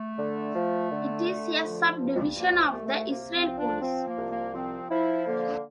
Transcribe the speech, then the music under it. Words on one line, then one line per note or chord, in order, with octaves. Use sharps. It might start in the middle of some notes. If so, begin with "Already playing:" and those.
It is a subdivision of the Israel Police.
Already playing: A3
D3
F3
D3
D3
F3
G2
F3 A#3
A3
C2
A3
C3 A#3
C4
F3
D4
F3 C4
A#3
C2
A#3
F3 C4
F3 E4
D3 A#3